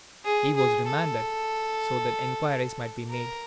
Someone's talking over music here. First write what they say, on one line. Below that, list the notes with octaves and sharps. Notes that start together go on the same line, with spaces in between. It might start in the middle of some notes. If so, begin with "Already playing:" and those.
He was remanded, so that inquiries might be made.
G#4
G#4
A4
A#4